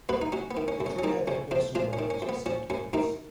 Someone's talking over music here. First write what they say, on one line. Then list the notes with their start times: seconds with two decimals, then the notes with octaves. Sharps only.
The crew had their personal weapons for self-defense.
0.09 F#2 B3 B4
0.22 D#4
0.32 F#3 C#4
0.51 B3
0.57 D#3
0.68 C#4
0.81 F#2
0.86 C#4
0.99 C#4
1.04 D#3 D#4
1.27 F2 C#4
1.51 F2 F3 F4
1.75 F3 G#3 F4
1.93 C#4
1.99 D#3
2.10 C#4
2.22 F2
2.29 B3
2.46 F3 C#4
2.70 F#2 C#4
2.93 F#2 D#3 D#4